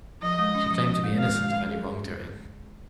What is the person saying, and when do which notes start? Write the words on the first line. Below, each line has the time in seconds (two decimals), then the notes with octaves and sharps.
She claimed to be innocent of any wrongdoing.
0.22 F3 D#5
0.39 G#3
0.55 C#4
0.71 F3
0.87 F3
1.04 G#3
1.19 D#3 F5
1.36 G#3
1.52 C#4
1.69 G#4